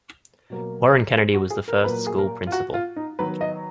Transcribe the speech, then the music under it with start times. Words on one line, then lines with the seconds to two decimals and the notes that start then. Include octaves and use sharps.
Warren Kennedy was the first school principal.
0.50 B2 F#3 A#3
1.17 G#4
1.34 F#4
1.50 G#4
1.68 A#4
1.84 A#2 F#3 A#3 B4
2.07 G#4
2.19 A#4
2.47 F4
2.52 F#4
2.74 F4
2.96 D#4
3.19 D#3 F#3 B3 B4
3.41 D#5